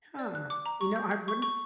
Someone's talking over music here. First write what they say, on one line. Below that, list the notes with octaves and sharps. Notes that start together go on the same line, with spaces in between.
Huh, you know, I wouldn't
D5
F#6
D6
A#5
C#6
G6
G6
C#6
C#6